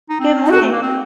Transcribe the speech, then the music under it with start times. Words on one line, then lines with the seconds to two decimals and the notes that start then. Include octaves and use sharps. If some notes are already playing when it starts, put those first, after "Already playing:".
Good morning.
0.10 D#4
0.20 C4
0.46 D#4
0.51 F#4
0.61 A3
0.72 A#3
0.82 C4